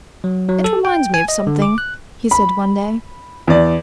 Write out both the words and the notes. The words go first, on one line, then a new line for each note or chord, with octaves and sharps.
"It reminds me of something," he said one day.
F#3
F#3
A4
G5
G#5
D#5
D3
D6
F#6
B5
E2 D5